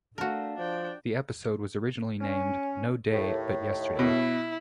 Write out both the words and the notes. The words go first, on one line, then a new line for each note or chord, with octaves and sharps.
The episode was originally named "No Day but Yesterday".
A3 D4 F#4 A#4 F5 A5
F3 D4 G5
C#4
D#2 A2
B2 E4